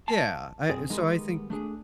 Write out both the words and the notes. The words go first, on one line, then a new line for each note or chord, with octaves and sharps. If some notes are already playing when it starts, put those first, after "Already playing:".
Yeah. I so I think
A5
B1 F#2 C4 G#4
D#3 G3 G#3 A#3 B3 D#4
A3 D4 G#4